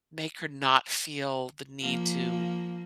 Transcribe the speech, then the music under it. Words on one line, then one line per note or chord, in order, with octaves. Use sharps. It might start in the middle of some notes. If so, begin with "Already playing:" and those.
make her not feel the need to
F3 A#3